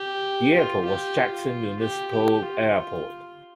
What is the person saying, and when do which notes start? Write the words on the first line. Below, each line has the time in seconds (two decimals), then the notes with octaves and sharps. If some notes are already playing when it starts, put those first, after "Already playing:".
The airport was "Jackson Municipal Airport".
Already playing: G4
0.54 F4
0.85 G4
1.17 F4
1.80 G4
2.11 G4
2.43 F4